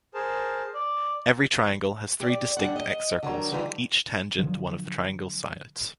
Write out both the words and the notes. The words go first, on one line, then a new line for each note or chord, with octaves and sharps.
Every triangle has three distinct excircles, each tangent to one of the triangle's sides.
G#4 A#4 C5 A5
D5
G4 D5
G3 D4 F#5
D#5
D3 F#3 G3 A#4
D3 E3 G3 D#4 F4
D3 F3 F#3